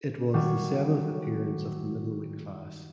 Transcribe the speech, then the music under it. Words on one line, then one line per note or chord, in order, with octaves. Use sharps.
It was the seventh appearance of the middleweight class.
D#3 F#3 G3 F#4